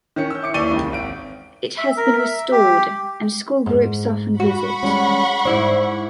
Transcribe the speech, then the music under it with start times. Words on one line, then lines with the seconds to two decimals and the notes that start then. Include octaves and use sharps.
It has been restored, and school groups often visit.
0.16 D#3 C#4 C#7
0.31 E6 G6
0.42 E4 D6 C#7
0.54 D#2 E3 D5 C#6 D#7 G7
0.71 C#2 C3 D#3
0.93 G#1 D7
1.78 E5
1.97 A#4
2.18 E5
2.51 G4
3.66 G#2
4.40 F#4 F#5 B5 C#6
4.83 G3 G#3 C#4
5.45 G#2 E4 C5 D5